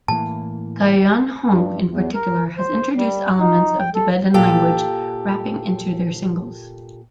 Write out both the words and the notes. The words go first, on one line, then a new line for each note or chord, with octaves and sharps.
Gaoyuan Hong in particular has introduced elements of Tibetan language rapping into their singles.
A2 E3 A#3 A5
G2
E2
A#4
C5
G3
D#4
G5
A4
A#2 G4 A4